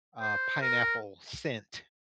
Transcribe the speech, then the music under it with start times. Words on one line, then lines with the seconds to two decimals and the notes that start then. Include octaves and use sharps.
uh, pineapple scent,
0.21 C5
0.61 A#4